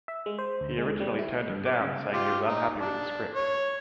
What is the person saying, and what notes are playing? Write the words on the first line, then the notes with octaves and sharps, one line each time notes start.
He originally turned it down, saying he was unhappy with the script.
E5
G#3
C5
D2
G#3
G3
E4
G2
D6
C#3
F4 G4
D#4
D4
C#5